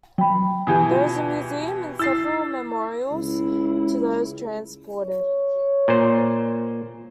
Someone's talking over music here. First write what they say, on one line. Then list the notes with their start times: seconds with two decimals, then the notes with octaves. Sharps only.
There is a museum and several memorials to those transported.
0.18 F#3 G5 B5
0.67 B2 E3 G4 G#5 D#6
0.91 F4
1.99 E4 E6 A6 C7
3.11 C#2 E4
5.02 C#5
5.88 A#2 C5